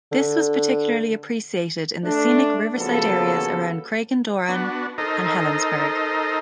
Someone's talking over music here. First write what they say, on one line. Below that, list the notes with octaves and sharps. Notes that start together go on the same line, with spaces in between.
This was particularly appreciated in the scenic riverside areas around Craigendoran and Helensburgh.
D3
A3 D4
C#3 F3 F#3 A#3 B3 A4
B3 D4 F#4
D#4 A4 A#4 C5 D#5